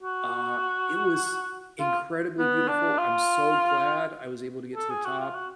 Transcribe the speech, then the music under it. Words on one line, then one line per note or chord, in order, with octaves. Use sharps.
Uh, it was incredibly beautiful. I'm so glad I was able to get to the top,
F#4
F4
B3
D4
F4
A4
G#4
F#4
F4
F#4